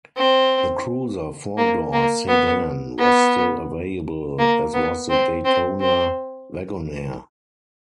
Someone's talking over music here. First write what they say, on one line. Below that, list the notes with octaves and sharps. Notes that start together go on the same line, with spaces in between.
The Cruiser four-door sedan was still available, as was the Daytona Wagonaire.
C4
A#3
A#3
B3
B3
A#3
B3
C4
C4
C4